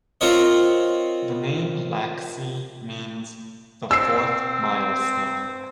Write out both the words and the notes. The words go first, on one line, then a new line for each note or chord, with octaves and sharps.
The name Lak Si means the "fourth milestone".
C4 F4 A#4 C#5 D#5
C4 E6 C7